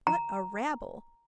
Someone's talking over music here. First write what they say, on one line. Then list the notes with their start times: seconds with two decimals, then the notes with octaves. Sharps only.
What a rabble!
0.07 A#5